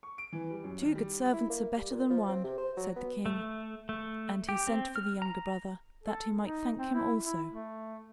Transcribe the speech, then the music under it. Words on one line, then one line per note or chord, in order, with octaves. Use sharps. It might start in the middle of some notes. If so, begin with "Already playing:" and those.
"Two good servants are better than one," said the king, and he sent for the younger brother that he might thank him also.
C#6
D7
E3
G3
F#2
D#3
G3
E4
A#3
G3
A#2
F3
C4
C3
C5
F#3
B3
A3
A3
G4
C4
F6
A#5
A4
D#4
C4
E4
E4
A3